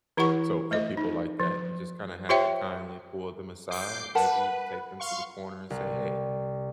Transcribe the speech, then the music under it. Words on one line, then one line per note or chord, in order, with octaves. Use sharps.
So for people like that, you just kinda have to kindly pull them aside, maybe take them to the corner and say, "Hey,"
E3 E4 G4 C#5 F#5 C#6
A3 C5 D#5
D#4
F3
F4 G4 C5 C#5 E5 G5
D6 G6 C7
A#4 B4 F#5 A5
F5 C6 C#6
C2